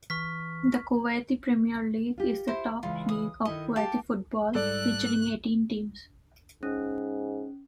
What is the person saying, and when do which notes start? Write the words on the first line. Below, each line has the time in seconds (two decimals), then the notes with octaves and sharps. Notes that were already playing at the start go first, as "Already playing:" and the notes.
The Kuwaiti Premier League is the top league of Kuwaiti football, featuring eighteen teams.
0.10 E3 C#6 F6 B6
2.18 F4 G4
2.47 E4 C5
2.83 C#3 E3 G#3 F4
3.09 D#6
3.45 D#3 E4 A4 D#5
3.76 G4 F5 A5
4.55 G#2 G3 A4 D5 F#6
6.63 G#2 C#4